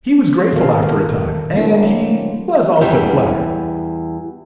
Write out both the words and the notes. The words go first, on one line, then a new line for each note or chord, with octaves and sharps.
He was grateful after a time, and he was also flattered.
A#2 D#3 A4 A#4 F5
F#3 G#3 A#3 C4 D4 E4
E2 G3